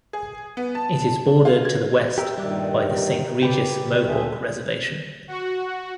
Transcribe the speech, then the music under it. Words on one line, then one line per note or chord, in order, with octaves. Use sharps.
It is bordered to the west by the Saint Regis Mohawk Reservation.
G#4
B3
A5
F4
G#6
G4 A#4 E5 E6
G2 A#2 D#3 G3 D6 F#6
G4 A#5
C#3 G4 B4 D5
D2 A#2 G#4 E5 D#7
F#4